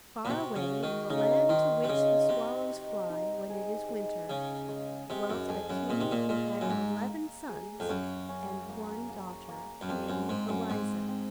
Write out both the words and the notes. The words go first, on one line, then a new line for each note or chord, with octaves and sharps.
FAR away in the land to which the swallows fly when it is winter, dwelt a king who had eleven sons, and one daughter named Eliza.
A#2
C3 F#4
C#3
F#4
D#3
C#3 D#4
D#3 C5
C3
C#3 D#5
C3 D#5
D#4
D#4
G#4
G#3
C#3 G#4
G#3
C3 G#3
F#2
F2 G#4
F#2
A#2 G#3
C3
A#2
A#2 G#3
F#2
G#2 A#3
A#3
G#4
F2
F#2 C#4
C#4
A#3
A#3
A#3
F#2
F2 C4
F#2
G#2 C5
F#2
G#2 C4
C4